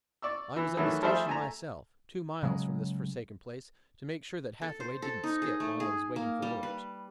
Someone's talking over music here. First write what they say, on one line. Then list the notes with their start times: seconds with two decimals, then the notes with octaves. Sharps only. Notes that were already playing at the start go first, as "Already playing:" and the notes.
I was at the station myself--two miles from this forsaken place--to make sure that Hathaway didn't skip while I was waiting for orders.
0.22 D5 C#6 E6
0.56 E3
0.77 D#3 E3 F#3 A3
1.03 F3 G3 A3 G#4 C5 E5
1.27 A3 G#5 A#5
2.43 C#3 F#3 G#3
4.62 A4
4.80 C5
5.02 A4
5.24 D#4
5.42 G#4
5.60 A3
5.80 G#4
6.16 A#3
6.42 G3
6.63 B4